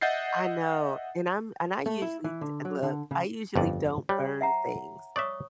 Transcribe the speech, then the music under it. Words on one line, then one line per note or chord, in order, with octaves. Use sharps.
I know, and I'm and I usually d look, I usually don't burn things,
D#5 E5 F#5 G6 A6 C7
A3
E4
E3
D3
F#3
D3
C#3
G1 F2 D5
G3 C#5
E5 F#5 A#5
C#5 D5 E5 C#6 D#6